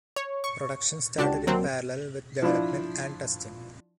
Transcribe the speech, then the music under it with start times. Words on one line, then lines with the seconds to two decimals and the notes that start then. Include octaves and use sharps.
Production started in parallel with development and testing.
0.16 C#5
0.44 C#6
1.18 C#2 D4 F#4 G4 A5
1.47 F#3 A#3 C4
2.42 F3 D4 E4 F4